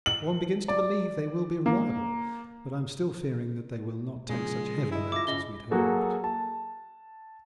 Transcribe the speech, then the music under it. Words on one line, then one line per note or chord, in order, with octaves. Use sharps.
One begins to believe they will be reliable, but I am still fearing that they will not take such heavy loads as we hoped.
F#7
D5
A#3
A#2 C#3 F3 G#3
E4 G#4 D#5
F4 A4 E5 D6 A#6
C#3 D#5 G7
F#3 A#3 F#4 G#4 A4
A5